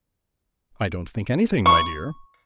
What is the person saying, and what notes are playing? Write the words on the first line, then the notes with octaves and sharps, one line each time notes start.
"I don't think anything, my dear."
C#6